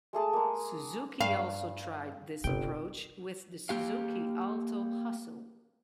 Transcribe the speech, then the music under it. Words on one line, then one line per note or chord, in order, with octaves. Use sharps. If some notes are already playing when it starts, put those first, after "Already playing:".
Suzuki also tried this approach with the Suzuki Alto Hustle.
G#3 A3 G#4 A5
G#3 A#3
G2 F5
G1 C3 G5
A#3 G4 F5